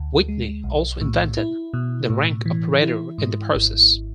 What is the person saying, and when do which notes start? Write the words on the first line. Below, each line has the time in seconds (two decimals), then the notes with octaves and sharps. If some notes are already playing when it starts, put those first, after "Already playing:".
Whitney also invented the rank operator in the process.
Already playing: D2
0.28 G#3
0.64 B1
1.01 A2
1.37 E4
1.74 B2
2.10 A2
2.46 E3
2.82 E4
3.18 G#2
3.55 G#1